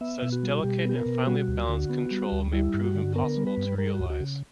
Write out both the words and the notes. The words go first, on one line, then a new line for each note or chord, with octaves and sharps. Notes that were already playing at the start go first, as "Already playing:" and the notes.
Such delicate and finely-balanced control may prove impossible to realize.
B3 E5
B2
F#4
G3
B2 G4
B3 G4
A#4
B2
G3 F#4
D2
D3
B3
G3
D2
G3 E4
G2
F#4
D3
B3 A#4
G3
B4
G2
G3 A#4
F#4
D2
F#4
C#3